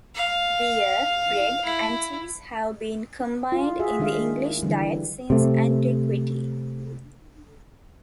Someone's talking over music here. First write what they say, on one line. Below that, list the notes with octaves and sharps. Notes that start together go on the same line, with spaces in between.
Beer, bread, and cheese have been combined in the English diet since antiquity.
F5
E4
F4
F#4 G#4 E5
D#3 G#3 D4 E5 F5
D3 E3 G3
C3 A3